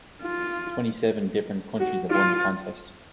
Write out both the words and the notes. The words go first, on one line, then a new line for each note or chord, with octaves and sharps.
Twenty-seven different countries have won the contest.
F4
F#4
F4